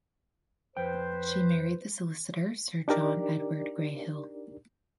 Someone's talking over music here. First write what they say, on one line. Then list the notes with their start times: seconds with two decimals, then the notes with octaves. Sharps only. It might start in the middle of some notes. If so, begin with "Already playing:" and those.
She married the solicitor Sir John Edward Gray Hill.
0.77 F2 B4 C5 G5
2.88 D4 D#4 G4 A#4 D5